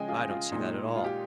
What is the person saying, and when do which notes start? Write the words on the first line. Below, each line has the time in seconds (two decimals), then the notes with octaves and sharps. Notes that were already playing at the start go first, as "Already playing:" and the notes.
"I don't see that at all."
Already playing: C#3 F3 G#3 D#5 G5 G#5
0.08 F4 G#4
0.30 F4
0.52 A#2 G#3 D#4
0.96 F4
1.04 G4